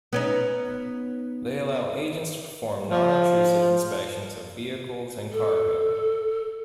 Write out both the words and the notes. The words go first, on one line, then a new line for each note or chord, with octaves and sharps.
They allow agents to perform non-intrusive inspections of vehicles and cargo.
B3 C#4 D#4
F3
A4